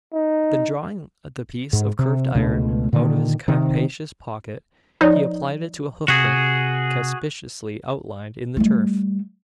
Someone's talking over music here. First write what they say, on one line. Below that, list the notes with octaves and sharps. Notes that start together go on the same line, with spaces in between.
Then drawing the piece of curved iron out of his capacious pocket, he applied it to a hoof-print conspicuously outlined in the turf.
D#4
G#2
C3
C#2 B2 A3 D4
A#2 D3 D#3 A#3
C3 D#3
F3 D#4 C#5 D5
C3 F#4 G#4
G3 A3